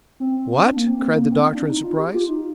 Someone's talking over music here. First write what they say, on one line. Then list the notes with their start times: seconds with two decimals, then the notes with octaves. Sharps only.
"What?" cried the doctor in surprise.
0.20 C4
0.65 D4
0.76 A#3
0.87 C4
0.99 C4
1.10 A#3
1.22 A#3
1.32 C4
1.55 D4
1.69 D#4
1.84 F4
1.98 G4
2.14 F4
2.28 D#4